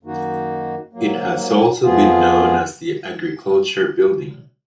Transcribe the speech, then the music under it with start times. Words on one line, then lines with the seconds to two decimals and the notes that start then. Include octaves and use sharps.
It has also been known as the Agriculture Building.
0.03 F#2 D#3 A#3 D#4 F#4
0.93 G#2 F#3 A#3
1.83 F2 F3 B3 F4 G#4